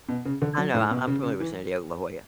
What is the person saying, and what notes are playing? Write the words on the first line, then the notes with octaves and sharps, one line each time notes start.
I know. I I'm familiar with San Diego, La Jolla.
B2
C#3
D3
F#3
A2
B2
C#3
C#3
E3